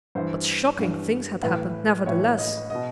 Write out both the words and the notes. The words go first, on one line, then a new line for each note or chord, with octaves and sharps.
But shocking things had happened, nevertheless!
G2 E3 C5
G2 E3
A2 E3 B4
A2 E3 C#5
D#5
B2 D#5